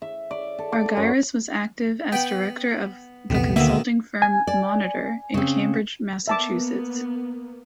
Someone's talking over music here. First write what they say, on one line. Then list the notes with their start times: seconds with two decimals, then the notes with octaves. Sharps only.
Argyris was active as director of the consulting firm Monitor in Cambridge, Massachusetts.
0.02 E5
0.31 D5
0.58 A4
0.72 D6
0.97 F#2
2.12 B3 G5 B5
3.30 A#1 E2 A2 C3 B3
3.56 D2 B2 D3 D#3 A#3 E5
4.22 G#5
4.47 D5
5.34 C#3 C4
6.28 A#3 B3 E5 A5 D6